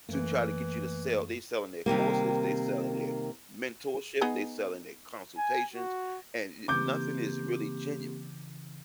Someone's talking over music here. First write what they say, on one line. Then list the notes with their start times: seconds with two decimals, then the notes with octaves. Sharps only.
to try to get you to sell. They selling their courses, they selling their mentorship, they selling their consultations, and n nothing is really genuine.
0.09 F#2 E3 A3 A#3
1.86 C3 D#3 G3 A#3
4.21 B3 D#4 G#4
5.37 G#5
5.73 F#4
6.68 C#3 E3 A#3 C4 G4 D6 G6